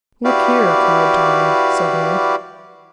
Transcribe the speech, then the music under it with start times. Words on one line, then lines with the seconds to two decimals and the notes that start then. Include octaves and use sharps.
"Look here!" cried Tom, suddenly.
0.24 E4 F#4 G4 B4 D5 F5